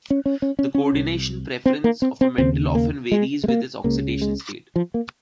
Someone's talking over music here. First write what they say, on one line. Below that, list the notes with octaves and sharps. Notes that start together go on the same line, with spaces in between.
The coordination preference of a metal often varies with its oxidation state.
C#4
C#4
C#4
C#4
C#4
C2 C3
C4
A#3
C4
C4
D#2 C#3 C4
A#3
G#3
G#3
A#3
C#2 C#3 A#3
G#3
F3
A#3